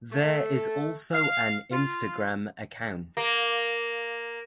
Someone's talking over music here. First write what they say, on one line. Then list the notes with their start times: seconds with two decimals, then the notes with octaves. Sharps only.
There is also an Instagram account.
0.11 A3
1.12 F5
1.72 F4
3.17 A#3